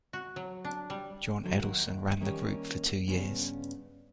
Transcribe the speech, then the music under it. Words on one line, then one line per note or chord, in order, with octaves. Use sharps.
John Edelson ran the group for two years.
F#4
F#3
D4
G3
D3 F#3 C5
D#2 A#4 F#5
D#3 G3 A#3 C#4
G2 C#3 B3 C#4